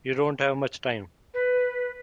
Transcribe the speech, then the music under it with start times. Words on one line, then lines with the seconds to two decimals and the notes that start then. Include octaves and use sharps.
You don't have much time.
1.34 B4